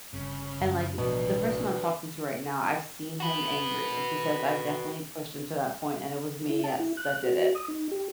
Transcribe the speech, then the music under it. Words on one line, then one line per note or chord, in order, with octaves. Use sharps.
and, like, it's the person I'm talking to right now, I've seen him angry because I've definitely pushed him to that point, and it was me, yes, that did it,
G1 C#3
F#2
A1 B2 F3 B3 D4
F#4 B4
E4
A5
E4
F#6
F#4
D#6
D#4
G4